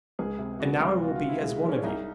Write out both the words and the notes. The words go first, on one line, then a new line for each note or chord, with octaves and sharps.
And now I will be as one of you.'
C#2 G#4
C3
C3 F#4
C#2
C3 F4
F#4
F4
C3
E4
G#3
G#3
C#4
D4
C2 D#4